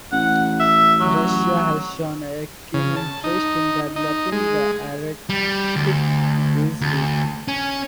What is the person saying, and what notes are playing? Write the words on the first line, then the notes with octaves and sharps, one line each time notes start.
Russia has shown a keen interest in developing the Arctic Bridge route.
A1 F#5
E5
F#3
C#3
A5
D#4
D#4
G#3
G3
D2
D2
C#4